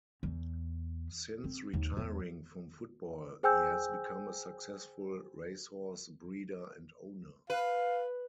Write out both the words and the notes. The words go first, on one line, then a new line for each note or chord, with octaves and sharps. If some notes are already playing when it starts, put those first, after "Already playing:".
Since retiring from football, he has become a successful racehorse breeder and owner.
E2
C4
D#2
E2
G#4 C5 G5 G#5 E6 G6
B4 F5